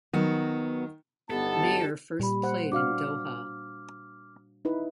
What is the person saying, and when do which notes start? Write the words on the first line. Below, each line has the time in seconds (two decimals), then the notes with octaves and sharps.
Mayer first played in Doha.
0.13 D#3 F#3 B3 F#4
1.30 G1 B3 D#4 G4 A4 A5
2.20 A#2 G3 G4 B5
2.43 C5 F#5
2.72 D4 F#4 F5 D6 F6
4.65 D#4 E4 B4